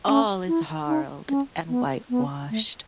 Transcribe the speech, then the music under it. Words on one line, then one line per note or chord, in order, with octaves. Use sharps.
All is harled and whitewashed.
C#4
E4
D#4
C#4
B3
B3
A3